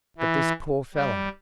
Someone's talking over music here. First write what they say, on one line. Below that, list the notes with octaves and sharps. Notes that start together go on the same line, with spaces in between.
"But this poor fellow?"
E3
G3